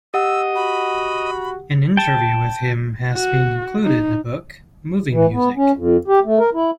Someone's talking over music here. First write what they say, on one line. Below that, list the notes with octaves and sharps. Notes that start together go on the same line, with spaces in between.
An interview with him has been included in the book "Moving Music".
G4 D#5 F#5 E6
F#4 B5
G5 A5
F#4
D#4
E3
B3
C#4
F2
G4
A3
A#4
E4